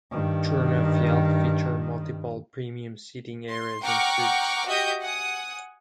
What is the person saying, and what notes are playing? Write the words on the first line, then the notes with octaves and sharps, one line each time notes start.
Turner Field featured multiple premium seating areas and suites.
G2 D#3
C6
F#5 G5 A#5 C#6 D6 F6
F#4 G4 D#5 E5 D#6 G6
F#5 G#5 D#6